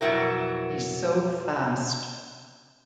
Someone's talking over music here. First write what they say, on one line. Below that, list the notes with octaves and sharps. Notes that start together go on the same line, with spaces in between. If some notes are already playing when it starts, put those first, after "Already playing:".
He's so fast.
F2 B2 E3 F#3 E4 A#4